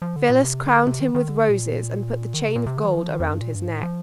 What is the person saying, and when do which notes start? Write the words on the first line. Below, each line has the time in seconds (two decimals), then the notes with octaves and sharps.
Phyllis crowned him with roses and put the chain of gold around his neck.
0.02 F3
0.16 D3
0.30 A#2
0.44 C3
0.66 D3
0.87 C3
1.00 D#3
1.15 D#3
1.28 D3
1.50 A#2
2.34 D#3
2.41 D3
2.48 C3
2.56 A#2
2.66 C3
2.77 D3
2.84 F3
2.88 D#3
2.98 F3
3.09 D#3
3.20 F2
3.30 G2
3.41 A#2
3.55 G2
3.69 A2
3.83 F3